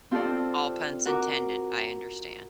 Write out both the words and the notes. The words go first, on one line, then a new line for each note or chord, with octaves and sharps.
All puns intended, I understand.
C4 F4 G4 A4 C5 D5
F#4 A#4 D6